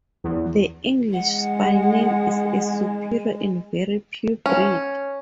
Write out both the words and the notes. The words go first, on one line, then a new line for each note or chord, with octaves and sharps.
The English spaniel is a superior and very pure breed.
E2
G#3 F#5
C#4